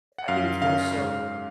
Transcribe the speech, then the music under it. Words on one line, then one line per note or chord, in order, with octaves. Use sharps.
I think it's more so
F#5
F#2 F5
C#3 F5
G#2